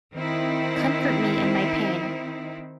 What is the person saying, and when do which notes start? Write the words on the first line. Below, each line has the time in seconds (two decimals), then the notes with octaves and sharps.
Comfort me in my pain.
0.16 D#3 C4 D#4 E4